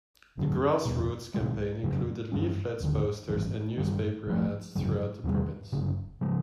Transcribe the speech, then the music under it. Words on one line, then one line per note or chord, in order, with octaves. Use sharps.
The grass-roots campaign included leaflets, posters, and newspaper ads throughout the province.
G1 F2 D3 F#3
F#1 E2 B2
C2 B2 G#3
F2 C#3 F#3 A#3
G2 E3 G#3 C#4
F1 D#2 D3
G#1 G2 E3
G1 G2 D#3
A1 A2 F3 A3
G#1 F#2 C#3 F#3
E2 C3 D#3 G3
G1 F#2 C#3
C#3 F3 G#3